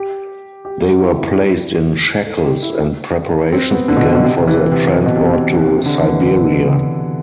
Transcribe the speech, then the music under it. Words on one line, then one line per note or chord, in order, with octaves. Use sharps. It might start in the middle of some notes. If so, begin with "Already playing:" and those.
They were placed in shackles, and preparations began for their transport to Siberia.
Already playing: G4
G4
F#4
E4
E4
A4
G4
E4
C4
B3
D3
B2
C3
B2
C3
E3
C3
C3
B2
C3
C3
C3
D3
E3
D3
B2